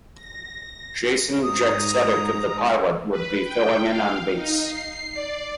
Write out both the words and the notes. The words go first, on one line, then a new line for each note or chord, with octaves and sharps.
Jason Jaksetic of The Pilot would be filling in on bass.
A#6
G#2 A#5 D#6
B4
G5
F5
D#4
C7
D5